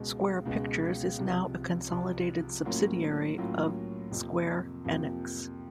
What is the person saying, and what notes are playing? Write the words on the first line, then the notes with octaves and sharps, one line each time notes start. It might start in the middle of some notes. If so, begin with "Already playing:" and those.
Square Pictures is now a consolidated subsidiary of "Square Enix".
Already playing: C#2 B2 G#3
C#2 B2 G#3
C2 C3 F3
C2 C3 F3
A2 F#3 A#3 C#4 F4
A2 F#3 A#3 C#4 F4
F2 C3 F3 A#3
F2 C3 F3 A#3